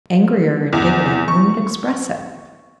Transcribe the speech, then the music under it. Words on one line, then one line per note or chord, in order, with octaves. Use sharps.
Angry or indignant wouldn't express it.
E2
C#6